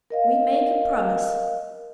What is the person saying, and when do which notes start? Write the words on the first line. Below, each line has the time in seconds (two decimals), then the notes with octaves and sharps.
We make a promise.
0.10 A#4 D#5 F5